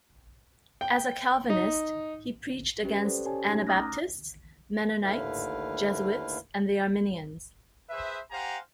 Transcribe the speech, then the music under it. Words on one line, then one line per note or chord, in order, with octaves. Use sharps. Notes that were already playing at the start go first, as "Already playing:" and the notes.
As a Calvinist, he preached against Anabaptists, Mennonites, Jesuits and the Arminians.
G5
D#4
C#4 G4 B4
A4 C5 D5
C#4 G4 C#5 G#5 A5
A3 C#4 D#4 G#6
A#5 D6 D#6 F6 F#6 A#6
D#2 D3 A3 E4 B4 F5
G#4 B4 C5 E5
G4 C5 F5 F#5 G#5 A#5